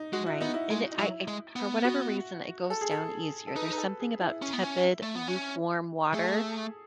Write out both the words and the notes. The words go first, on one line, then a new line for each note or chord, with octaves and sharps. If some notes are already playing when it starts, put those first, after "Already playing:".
Right, and i I i for whatever reason, it goes down easier, there's something about tepid lukewarm water
Already playing: D#4
G#3 F#4
E4
B3 D#4
E4
G#3
D#4
F#3 E4
G#3
B3
F#4
A4
G#4
A4
A4
D#4 B4
B4
A4
G#4
E4
C#4
B3
C#4
A3
B3
C#4
A3 G#4
A4
G#4